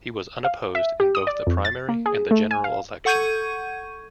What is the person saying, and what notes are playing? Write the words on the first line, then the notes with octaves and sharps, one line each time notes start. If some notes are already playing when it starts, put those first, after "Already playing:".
He was unopposed in both the primary and the general election.
F5
E5
G4
D#6
D5
F2
A6
A#3
G#4
A3
G#5
F5
A4 F#5 C#6 G6 G#6 D#7